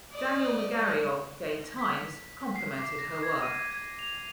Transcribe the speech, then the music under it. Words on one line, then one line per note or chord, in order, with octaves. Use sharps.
Daniel Megarry of "Gay Times" complimented her work.
D5 D#5
B6
C7
D6
A#6
G#6
D#7
G#6
F7